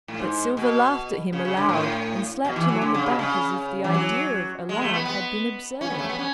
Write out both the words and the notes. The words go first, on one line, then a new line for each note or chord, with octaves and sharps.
But Silver laughed at him aloud and slapped him on the back as if the idea of alarm had been absurd.
A2
G#2
B2
C#3
C#3
D3
A2
B2
E3
F#3
D3
C#3
B2
C#3
E3
F#3
G#3
A3
B3
B3
C#4
B3
A3
B3
C#4